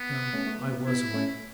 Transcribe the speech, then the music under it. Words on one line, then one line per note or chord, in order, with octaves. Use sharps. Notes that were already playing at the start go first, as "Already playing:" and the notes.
"No--I was awake."
Already playing: B3
A3 C#4
A3
B3
B3
B3 E4
A3 C#4